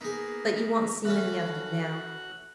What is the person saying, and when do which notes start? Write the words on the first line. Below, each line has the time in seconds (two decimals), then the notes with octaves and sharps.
But you won't see many of them now.
0.01 A#3 B3 D#4 G#4
1.05 E3 A3 C#4 F#4 F#5